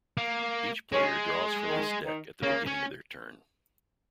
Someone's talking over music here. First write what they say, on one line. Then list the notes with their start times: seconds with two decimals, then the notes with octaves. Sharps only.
Each player draws from this deck at the beginning of their turn.
0.17 A#3
0.92 G#3 C#4
1.68 D#3
2.05 D#3
2.43 C#3 A#3
2.67 C#4